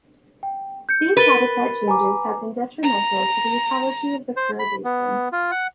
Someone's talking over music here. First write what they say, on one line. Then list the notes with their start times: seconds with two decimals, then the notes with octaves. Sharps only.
These habitat changes have been detrimental to the ecology of the Kura basin.
0.43 G5
0.89 G6 C#7
1.17 A#4 B4 A6 G7
1.88 G#5 A#5 D6
2.83 A#5
4.37 C5
4.59 B5
4.85 B3
5.32 F4
5.51 F#5